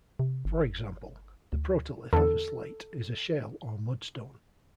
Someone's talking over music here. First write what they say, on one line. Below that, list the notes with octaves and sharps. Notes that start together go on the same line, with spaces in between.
For example, the protolith of a slate is a shale or mudstone.
C3
G1
D2
E2 D3 A4